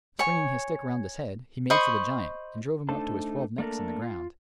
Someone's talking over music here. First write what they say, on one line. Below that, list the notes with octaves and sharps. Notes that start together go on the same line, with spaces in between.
And swinging his stick round his head, he made for the giant, and drove him up to his twelve necks in the ground.
C#5 G#5
C5 D#5 B5 C#6
A3 D4 D#4 A4 C5 A5
A3 A#3 D4 A4 A#4
F4